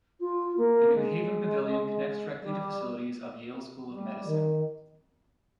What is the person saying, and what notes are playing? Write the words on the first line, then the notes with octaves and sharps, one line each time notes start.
The New Haven Pavilion connects directly to facilities of Yale School of Medicine.
F4
A#3
G#3
G3
G3
D#3